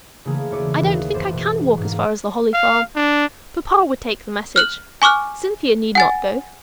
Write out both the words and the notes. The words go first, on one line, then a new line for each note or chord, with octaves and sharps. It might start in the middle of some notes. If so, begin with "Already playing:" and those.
"I don't think I can walk as far as the Holly Farm; papa would take the message; Cynthia need not go."
C#3 E3 A3 A#3 G#4
E1 E4 C#5 D5 D6 D#7
D#2 E3
F#1 C5 D6 A6 E7
B2
G#2 A#3
F5
D4
F6 F#6 F#7
G#5 C#6 D6 F6 F#6
F#5 G#5 A6